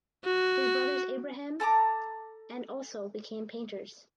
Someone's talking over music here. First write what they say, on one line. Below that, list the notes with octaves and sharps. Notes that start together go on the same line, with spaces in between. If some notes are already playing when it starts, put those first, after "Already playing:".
His brothers Abraham and also became painters.
F#4
A4 A5 A#5 D6